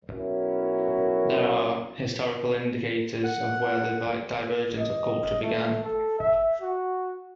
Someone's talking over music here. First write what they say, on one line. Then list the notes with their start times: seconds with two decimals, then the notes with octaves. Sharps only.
There are historical indicators of where the divergence of culture began.
0.13 B1 C#4 E4 F#4 A#4
3.24 F#5
4.77 D#5
5.43 A3
5.84 A4
6.19 E5
6.62 F#4